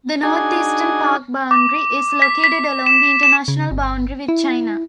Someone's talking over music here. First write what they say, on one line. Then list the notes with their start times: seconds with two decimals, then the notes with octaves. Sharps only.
The northeastern park boundary is located along the international boundary with China.
0.23 D4 D#4 F#4 G#4 G#5
1.51 D6
2.22 B6
2.44 B6
2.86 E7
3.23 E7
3.48 C#3
3.71 G1
4.28 E4